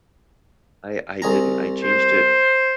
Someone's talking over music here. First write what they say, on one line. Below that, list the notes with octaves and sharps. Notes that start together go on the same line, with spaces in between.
I I didn't, I changed it
C2 G#4 A#5
C5